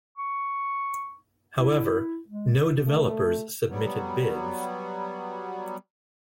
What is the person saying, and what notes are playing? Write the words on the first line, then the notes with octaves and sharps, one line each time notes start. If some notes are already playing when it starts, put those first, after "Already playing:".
However, no developers submitted bids.
C#6
E4
G#3
A3
F#3 G3 B3